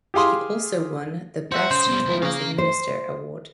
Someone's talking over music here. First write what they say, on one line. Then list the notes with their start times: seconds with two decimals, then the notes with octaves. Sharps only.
She also won the "Best Tourism Minister" award.
0.14 G4 G#4 F5 C6
1.52 F#4 C5 E5 F#5
1.71 C#3 C5
1.88 B2 G3
2.06 C#2 E4
2.22 C#3 F5 A#5
2.58 C5